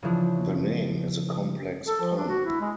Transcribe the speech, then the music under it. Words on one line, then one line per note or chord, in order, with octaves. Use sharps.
The name is a complex pun.
C#3 E3 F3 D4
A4
F3
D4
F#4
E4
G#3